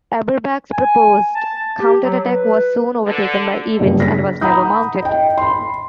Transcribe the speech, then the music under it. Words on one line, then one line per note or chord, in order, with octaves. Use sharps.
Eberbach's proposed counter-attack was soon overtaken by events, and was never mounted.
G#5
A5
G4
F#3
B4
D3
F#1 G2
A#6 B6
F#5 A#5 B5 D#6 G6
D#5 G5
B5 C6